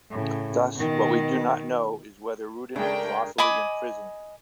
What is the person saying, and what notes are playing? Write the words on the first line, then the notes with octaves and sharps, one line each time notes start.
Thus, what we do not know is whether Rudin is lawfully imprisoned.
A2 C#3
B2 D#3
C#3 G#3 A3 D4 A#4 G5
D#5 G#5 B5 D6